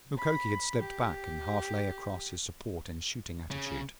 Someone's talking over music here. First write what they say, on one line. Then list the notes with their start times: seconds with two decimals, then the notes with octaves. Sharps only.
Mukoki had slipped back and half lay across his support in shooting attitude.
0.16 B5
0.81 G4
3.51 C#3